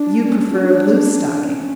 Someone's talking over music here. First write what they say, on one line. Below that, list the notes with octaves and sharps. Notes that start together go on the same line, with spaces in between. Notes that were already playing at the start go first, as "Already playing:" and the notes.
"You prefer a bluestocking."
Already playing: D4
C#4
D4
F#4
D4
C#4